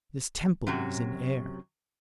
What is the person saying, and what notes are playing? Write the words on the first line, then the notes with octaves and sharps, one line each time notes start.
This temple is in air.
F#2 C3 F#3